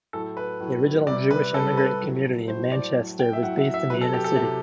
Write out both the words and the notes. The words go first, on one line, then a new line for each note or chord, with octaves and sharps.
The original Jewish immigrant community in Manchester was based in the inner city.
A2 F#3 A4
B4
A2 F#3
C3 G3 D5
B4
C3 G3 A4
B4
A2 F#3
A2 F#3 C5
D5
A2 F#3
G5
E5
A2 F#3 F#5
E5
E5
C3 F#3 B4
A4
G4
A4
C3 F#3